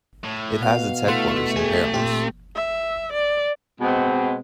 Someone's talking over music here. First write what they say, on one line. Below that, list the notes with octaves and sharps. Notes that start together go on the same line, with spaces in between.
It has its headquarters in Paramus.
A2
B2 F5 F#5
A3 E4 F#5 C6
G4 G#4 G#5
A#2 C4 G4
E5
D5
B2 G#3 B3 C4